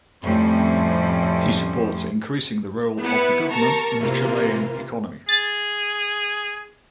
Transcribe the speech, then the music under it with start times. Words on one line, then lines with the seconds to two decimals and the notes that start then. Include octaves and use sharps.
He supports increasing the role of the government in the Chilean economy.
0.23 F2 A2 G3 A3 C4 C#4
3.02 B3 E4 B4 C#7
3.50 G4 A#4 A5 A#5 C#6
4.00 C3 E3 A#3 F4
5.29 G#4 A6